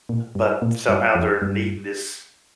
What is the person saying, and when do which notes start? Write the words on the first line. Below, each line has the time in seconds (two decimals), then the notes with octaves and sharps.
but somehow they're needing this
0.09 A#2
0.35 G2
0.62 A#2
0.89 G2
1.15 F2
1.42 G2